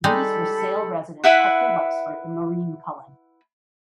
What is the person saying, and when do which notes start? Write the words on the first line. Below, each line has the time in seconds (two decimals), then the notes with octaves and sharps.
These were Sale residents Hector Luxford and Noreen Cullen.
0.04 G3 G#3 D#4 G4 A4 B5
1.24 E4 B4 E5 F#5